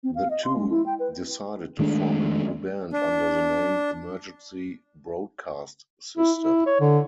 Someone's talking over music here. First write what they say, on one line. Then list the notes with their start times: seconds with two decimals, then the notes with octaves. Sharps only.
The two decided to form a new band under the name Emergency Broadcast System.
0.03 C4
0.15 F5
0.30 D#5
0.44 C6
0.56 G#3
0.71 E4
0.86 G5
0.99 B4
1.79 D#3 G#3 A3 D4
2.93 D4
6.17 E4
6.41 E4
6.66 C#5
6.80 D3